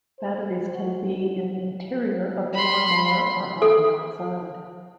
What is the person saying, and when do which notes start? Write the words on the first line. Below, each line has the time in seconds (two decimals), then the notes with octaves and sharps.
Batteries can be in the interior of the lawn mower or on the outside.
0.20 C5
0.71 F#4
2.54 B5 C6
3.62 A4